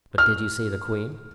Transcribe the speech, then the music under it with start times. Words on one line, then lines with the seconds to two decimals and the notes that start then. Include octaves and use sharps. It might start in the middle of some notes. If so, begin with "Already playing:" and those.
"But did you see the queen?"
0.18 F6